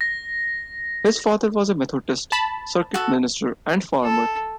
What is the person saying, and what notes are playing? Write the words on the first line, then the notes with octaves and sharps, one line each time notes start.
His father was a Methodist circuit minister and farmer.
A#6
A5 B5
F#4 A4
A4